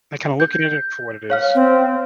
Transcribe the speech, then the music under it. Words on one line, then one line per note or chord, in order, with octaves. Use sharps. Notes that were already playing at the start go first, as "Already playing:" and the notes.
I kinda looking at it for what it is.
G6
C#5 F5 F6
C4